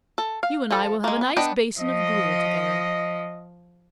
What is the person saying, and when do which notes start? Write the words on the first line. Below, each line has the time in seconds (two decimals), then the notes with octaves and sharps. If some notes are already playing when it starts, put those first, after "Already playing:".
You and I will have a nice basin of gruel together.
0.18 A4
0.43 F5
0.71 F3 A4
1.04 G#3 A#3
1.21 B3
1.37 B3 D4 D#5 G5
1.79 F3 D#5